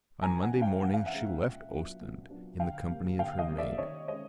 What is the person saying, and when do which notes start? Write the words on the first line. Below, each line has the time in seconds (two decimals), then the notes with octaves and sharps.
On Monday morning she left Ostend, in the company of her maid.
0.22 E3 G#5 A#5
0.42 F#5 G#5
0.53 G#3 C#4
0.62 F5 G5
0.82 E3 F#5
0.94 F5
1.06 E5 F#5
1.12 G#3 C#4
1.41 A#2
1.71 F#3 B3 D4
2.01 A#2
2.30 F#3 B3 D4
2.60 D3 F5 G5
2.90 G3 A#3
3.19 D3 F5 G5
3.39 D#5 F5
3.49 G3 A#3
3.58 D5 E5
3.78 D#3 C#5 D#5
4.08 G#3 C#4 C#5 D#5